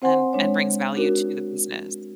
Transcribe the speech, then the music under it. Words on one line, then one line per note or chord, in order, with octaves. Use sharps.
and and brings value to the business.
C4 C5 F#5 G#5 C6
G#3 D4 C#5
D4 D#4 F#4 A#4